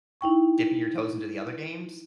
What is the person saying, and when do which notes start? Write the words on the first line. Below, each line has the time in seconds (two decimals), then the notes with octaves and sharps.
dipping your toes into the other games?
0.21 D#4 E4 G5 C#6